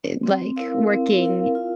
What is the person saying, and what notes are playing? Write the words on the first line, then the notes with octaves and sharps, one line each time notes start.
eh, like, working
C4
E4 A#4 F5
C4
E4 A#4 F5
F4